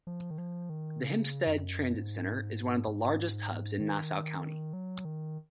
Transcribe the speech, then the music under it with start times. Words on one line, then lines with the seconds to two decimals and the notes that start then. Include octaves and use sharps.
The Hempstead Transit Center is one of the largest hubs in Nassau County.
0.07 F3
0.30 D#3
0.38 F3
0.70 D#3
1.01 C#3
1.47 F#2
1.94 G#2
2.87 G#2
3.80 D#3
4.73 F#3
5.05 D#3